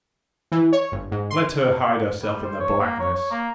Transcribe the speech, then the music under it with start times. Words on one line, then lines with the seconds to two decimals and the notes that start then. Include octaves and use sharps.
Let her hide herself in the blackness.
0.52 E3
0.73 C#5
0.92 G1
1.11 G#2
1.30 C6
2.22 G3
2.44 C5
2.60 C#5
2.79 A#3
2.99 C#5
3.14 C#5
3.31 A#3